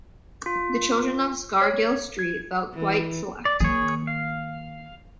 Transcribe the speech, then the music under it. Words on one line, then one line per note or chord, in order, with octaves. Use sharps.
The children of Scargill Street felt quite select.
F4
C#5
G#6
E3
D5
D#3 A#3 G#4 C#5
F5